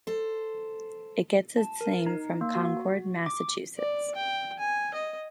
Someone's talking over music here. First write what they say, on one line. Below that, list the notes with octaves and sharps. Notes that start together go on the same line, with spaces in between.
It gets its name from Concord, Massachusetts.
A4 C5
A5
A#4
D#4
A#3
F#4
D6
D5
G5
G#5
D#5